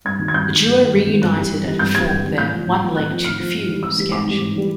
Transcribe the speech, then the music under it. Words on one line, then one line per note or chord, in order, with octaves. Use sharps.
The duo reunited and performed their "One Leg Too Few" sketch.
G2 G#6
D#3 F#3
G#6
G2 G6
D#3 F#3
G2
D#3 F#3
G2
D#3 F#3
G2 F#6
E3 G3
G2
E3 G3
G2 G6
E3 G3 G#6
G2
E3 G3
A2 G6
F3
A2
F3
A2 F#6
F3
A2 F6
F3
G#2
E3 G3
G#2 E6
E3 G3
G#2 D6
E3 G3
G#2
E3 G3